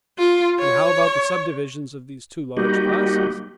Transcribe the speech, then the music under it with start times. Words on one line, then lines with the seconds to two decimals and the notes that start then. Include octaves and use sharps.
"And how about the subdivisions of these two large classes?"
0.18 F4
0.59 C#5
2.57 G3 A#3 D#4 F#4 G4